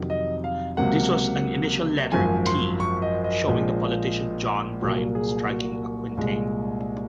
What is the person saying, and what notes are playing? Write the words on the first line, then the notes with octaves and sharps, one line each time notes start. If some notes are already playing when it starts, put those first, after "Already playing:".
This was an initial letter 'T' showing the politician John Bright striking a quintain.
Already playing: F2 C3 D#3 F#3
D#5
F5
C#2 C3 F#3 A#3 F#5
G#1 F#2 F3 G#5
C6
C#6
D#5
D#5
A#1 A#2 F3 G#3
C2 A#2 F#3 A#3 F#4
G#4
F#4
C2 A#2 G#3